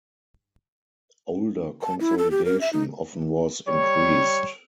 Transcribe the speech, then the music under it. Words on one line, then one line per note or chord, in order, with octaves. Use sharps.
Older consolidation often was increased.
A5
E4
A4
G4
A#4
E5
D#4
G3 C#5